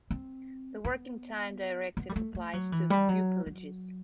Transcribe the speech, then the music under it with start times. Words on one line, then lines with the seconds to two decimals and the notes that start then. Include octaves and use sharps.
The Working Time Directive applies to pupillages.
0.11 C4
0.85 B3
1.97 B3
2.09 G3
2.16 A3
2.35 A3
2.53 F#3
2.72 E3
2.90 G3
3.09 F#3
3.47 F#3